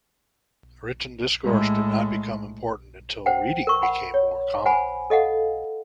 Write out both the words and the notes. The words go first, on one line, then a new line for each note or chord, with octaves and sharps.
Written discourse did not become important until reading became more common.
A2 G#3
C5 F#5 G5
A#4 C#6
F#5 B5
C#5
C5 F#5 G#5 B5
A4 D#5 F5 F#5